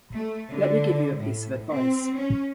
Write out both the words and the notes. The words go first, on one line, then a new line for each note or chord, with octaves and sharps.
Let me give you a piece of advice.
A3
D3
A2
C4
C#4